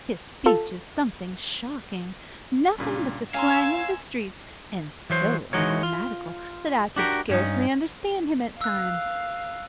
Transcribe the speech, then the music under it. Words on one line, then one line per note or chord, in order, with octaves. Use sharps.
His speech is something shocking; nothing but the slang of the streets, and so ungrammatical that I could scarcely understand him at times.
F4 A4
G2 A#2 C#3
C#4 F5 G#5 A#5 C6 E6 G#6
E3 F#3 C5
E3 G#3 D#4 F#4 A#4 C#5
F4
D4 F#4 G4 A#4
G2 C#4 D#4
F5 E6 F#6